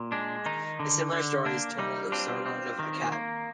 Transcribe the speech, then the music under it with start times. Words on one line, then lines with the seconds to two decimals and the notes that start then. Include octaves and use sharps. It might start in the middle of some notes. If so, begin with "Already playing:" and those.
A similar story is told of Sargon of Akkad.
Already playing: A#2
0.12 G#3 D4
0.46 D#3 D#4
0.80 D3
1.13 D3
1.45 A#3 D4
1.78 G3 D#4
2.12 C4 D4 F4
2.46 C4
2.79 D#3
3.12 A#3